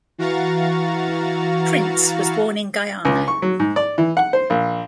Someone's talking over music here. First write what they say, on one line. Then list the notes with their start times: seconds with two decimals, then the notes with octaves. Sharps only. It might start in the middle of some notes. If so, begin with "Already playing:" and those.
Prince was born in Guyana.
0.18 E3 F#4 F5 A#5 C#6 A6
3.05 C#2
3.28 C#6
3.42 F#3
3.60 G#2
3.76 D5
3.98 E3
4.17 F#5
4.33 C5
4.50 A#1